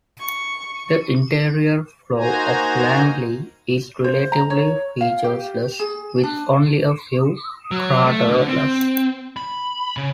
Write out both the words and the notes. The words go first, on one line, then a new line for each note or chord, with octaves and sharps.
The interior floor of Langley is relatively featureless, with only a few craterlets.
C#6
A#3 D#4 F#4 C5 G#5 A#5
C5
A#5
C#5
F5
G4
G#4
D4
F#3
A3
D3
C4
B5
C#3